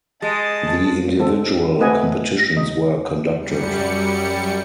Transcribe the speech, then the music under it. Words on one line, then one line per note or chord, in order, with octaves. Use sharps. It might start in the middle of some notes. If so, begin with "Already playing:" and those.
The individual competitions were conducted.
G#3 D#5 A5
G#3 C4 A4
A3 C4 B4 D#5 F#5 G#5
D#5
F#2 G3 C#7